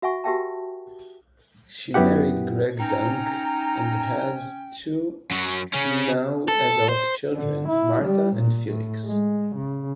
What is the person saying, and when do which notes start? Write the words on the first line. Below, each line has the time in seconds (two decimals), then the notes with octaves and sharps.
She married Greg Dunk and has two now adult children, Martha and Felix.
0.02 F#4 E5 F#5 G#5 C#6
0.24 F#4 G4 A#4 E5 G5 A5
1.94 F#2 B3 E4 G4 F#5
2.79 C#4 D#4 G5 A#5
5.31 F#2 F#3
5.73 C#3 C#4
6.48 A4
6.89 C5
7.35 D3
7.68 E4
8.02 G3
8.35 A#2
8.68 A2
9.05 G#3
9.56 C#3